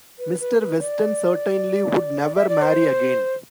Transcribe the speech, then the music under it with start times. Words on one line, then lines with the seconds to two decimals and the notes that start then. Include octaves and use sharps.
Mr Weston certainly would never marry again.
0.19 B4
0.40 B4
0.60 B4
0.81 D5
2.35 E5
2.49 D5
2.62 C5